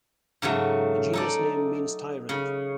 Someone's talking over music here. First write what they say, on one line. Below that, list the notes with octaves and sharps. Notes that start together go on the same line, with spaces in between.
The genus name means "tyrant".
G#2 C#3 F#3 A3
D#4 A4 D5
C#3